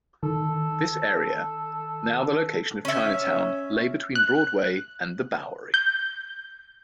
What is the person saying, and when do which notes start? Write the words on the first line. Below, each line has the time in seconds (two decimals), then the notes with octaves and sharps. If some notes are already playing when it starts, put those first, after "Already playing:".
This area, now the location of Chinatown, lay between Broadway and the Bowery.
0.23 D#3 A4
2.85 C#4 E5
4.15 F#6
5.74 G6